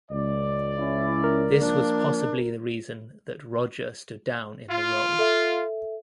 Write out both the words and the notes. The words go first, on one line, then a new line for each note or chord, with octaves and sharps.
This was possibly the reason that Rodger stood down in the role.
C#2 D5
C#4 E4
A#4
F3 A#3 D4
F4
A4 E5